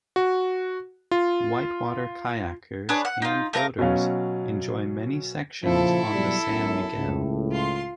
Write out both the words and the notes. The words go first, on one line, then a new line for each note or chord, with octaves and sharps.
Whitewater kayakers and boaters enjoy many sections on the San Miguel.
F#4
F4
D4 G#4 B4 C#5
F#5
D#4 F4
A3 A#4 F5 A#5
B2 F#3 C#4 F5
A#2 C#3 F3 E4 A4
B2 F#3 G3
B1 F#2
C#2 A2
F4 C6